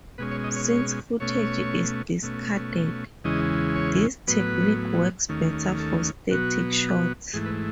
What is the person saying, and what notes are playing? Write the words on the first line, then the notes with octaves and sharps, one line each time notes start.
Since footage is discarded, this technique works better for static shots.
B2 G#3 C#4 B4
C#5
D#5
C#5
C#5
B2 A3 C#4 C#5
B2 A3 C#4
E2 C#3 E3 G#3 C#4 D#5
C#5
A2 F#3 B3 B4
D#2 D#3 A3 C#4
A4
B2 F#3 B3 F#4
G#2 E3 A3 G#4
B4